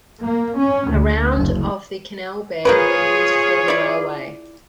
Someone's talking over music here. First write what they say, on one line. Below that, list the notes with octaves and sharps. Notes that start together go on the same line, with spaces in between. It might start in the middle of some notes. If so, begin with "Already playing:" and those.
Around of the canal bed were used for the railway.
A#3
C#4
D2
F#1
F3 F4 G#4 A#4 B4 C#5
E4 D5